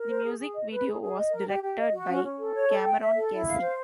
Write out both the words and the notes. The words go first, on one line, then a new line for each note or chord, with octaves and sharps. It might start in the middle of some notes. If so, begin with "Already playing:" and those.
The music video was directed by Cameron Casey.
Already playing: A#4
C5
G#4
G#4
D#5
B4
G#4
G#4
D#5
A#4
G4
G4
D#5
F#4
C#4
C#4
A4
C#5
A4
G5
E5
A4
E4
F5
C5